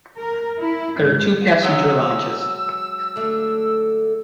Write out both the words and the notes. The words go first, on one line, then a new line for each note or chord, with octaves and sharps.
There are two passenger lounges.
A#4
E4
G#2
F#3 G#3 E6
D3 A3